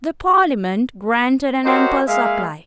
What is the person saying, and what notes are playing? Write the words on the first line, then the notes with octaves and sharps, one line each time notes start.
The Parliament granted an ample supply.
F#4 G4 A#4 C5 C#5 D#5
G#3 A#3 G#4 E5 F5